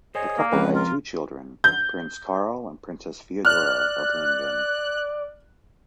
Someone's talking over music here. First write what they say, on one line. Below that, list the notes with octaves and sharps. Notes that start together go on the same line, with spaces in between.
The couple had two children, Prince Carl and Princess Feodora of Leiningen.
G#4 C5 C#5 D#5
A#3 A#4 D5
C#2 F3 C4 B4
F4 A#4
G6
D5 F6 F#6